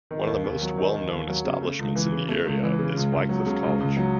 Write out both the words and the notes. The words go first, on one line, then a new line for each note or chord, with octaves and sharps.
One of the most well known establishments in the area is Wycliffe College.
D#3
D#2
D#2
F#3
D#3
D#2
D#2
F#3
C#3
A3
C#2
E3
C#3
A3
C#2
E3
C#3
C#2
C#2
F#3
C#3
C#2
C#2
F#3